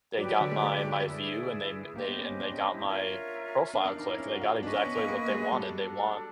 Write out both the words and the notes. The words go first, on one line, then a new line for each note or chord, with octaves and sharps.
they got my my view and they m they and they got my profile click. They got exactly what they wanted. They want
F#3 G4 B4 D5
F#3
D3
G#3
A3
E4 G#4 B4 D5
A#3 G4 C5 D#5
B3
C#4
C#4
D4
C#4
D4
E4
D4 F4 A#4 C#5 E5
D4 A#4 D5 F5
D4
D#4
E4
C#4
F#4
F4
D4 B4 D#5 G#5 C#6
C#4
B3
A#3
A#3
G#3
G3 D4 F#4 A4